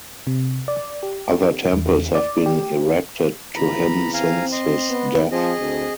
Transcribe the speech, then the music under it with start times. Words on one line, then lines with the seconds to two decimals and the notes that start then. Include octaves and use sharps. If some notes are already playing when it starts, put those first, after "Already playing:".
Other temples have been erected to him since his death.
0.27 C3
0.68 D5
1.03 G4
1.73 E2
2.15 D5
2.46 G4
3.56 E2 A#5 B5
4.14 C4 F5 G#5 A#5
4.52 D#5 C6
4.90 B3
5.31 F3 C4 G#4 D#5
5.60 D2 C4